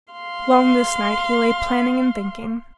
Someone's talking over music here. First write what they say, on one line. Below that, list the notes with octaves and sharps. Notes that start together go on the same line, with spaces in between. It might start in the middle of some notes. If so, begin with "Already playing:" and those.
Long this night he lay planning and thinking.
F5 C6